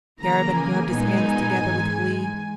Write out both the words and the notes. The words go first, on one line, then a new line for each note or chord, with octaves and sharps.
Garabin rubbed his hands together with glee.
C#3 E3 A#3 A#5
G#5
A#2 G#3 B3 D#4 G#5
G#2 E3 G#3